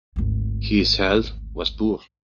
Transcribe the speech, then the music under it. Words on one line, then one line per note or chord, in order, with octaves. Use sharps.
His health was poor.
G#1 D2